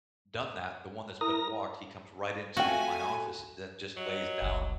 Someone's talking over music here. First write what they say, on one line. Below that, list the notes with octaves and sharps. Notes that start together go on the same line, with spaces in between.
done that, the one that's been walked, he comes right into my office and then just lays down
E4 A#4 A#5 D#6 A#6
A3 C4 F4 F#4 F5 G5 G#5 A#6
F#3 D#5
F#1 C2